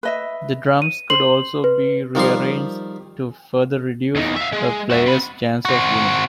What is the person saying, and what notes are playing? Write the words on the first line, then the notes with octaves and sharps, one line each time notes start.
The drums could also be rearranged to further reduce a player's chance of winning.
B4 D#5 E5
D#7
C5 F#7
B4
D#3 F3 G3 C6
E2 D#3
E5 F5
G#3
F#4 E5
C4 B5
C4 F#4